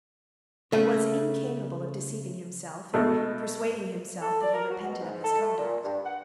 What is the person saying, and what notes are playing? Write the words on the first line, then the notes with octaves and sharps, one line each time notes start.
He was incapable of deceiving himself and persuading himself that he repented of his conduct.
C#3 A3
B2 G#3 A3
A4
D5
A#4
F#4
B2
G#2
A4
A3
A#2
G2
F#5